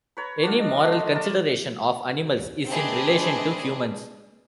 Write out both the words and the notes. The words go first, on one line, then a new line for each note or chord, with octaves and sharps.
Any moral consideration of animals is in relation to humans.
B4 C#5 A#5
D4 F#4 F5
D#5
A3 C6
A#4 A5
A3 C4 D4 G#4 B4 D#5